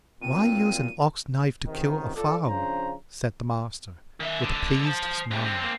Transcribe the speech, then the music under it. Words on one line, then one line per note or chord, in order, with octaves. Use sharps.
Why use an ox-knife to kill a fowl? said the Master, with a pleased smile.
B1 A#2 C4 D#7
C#2 G#2 C3 D#3
F4 A4 D5
C#3 F3 D4 C5 A#5
D#3 E5
C2 D3
C5 A5
G#2 C3
D3 C4
A#3 C4